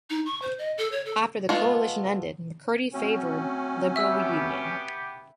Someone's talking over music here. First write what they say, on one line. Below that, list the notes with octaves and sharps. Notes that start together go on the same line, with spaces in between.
After the coalition ended, McCurdy favoured Liberal reunion.
D#4
C#6
C5
D#5
A4
C#5
A4
G#3 A3 B3 F4
F#3 A3 C4 C#4
B3 G4 E5 E6